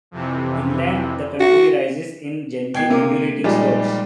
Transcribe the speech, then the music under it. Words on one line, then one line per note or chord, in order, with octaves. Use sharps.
Inland the country rises in gently undulating slopes.
F2 C3 E3
F#4
B2 G5 G#6 C7
C3 A#3
A#2 F3 G3 G#3 D#4